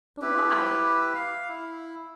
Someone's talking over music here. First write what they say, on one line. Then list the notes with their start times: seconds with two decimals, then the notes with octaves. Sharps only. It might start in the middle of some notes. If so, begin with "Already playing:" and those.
"But why?"
0.22 E4 G4 B4
1.15 F5
1.49 E4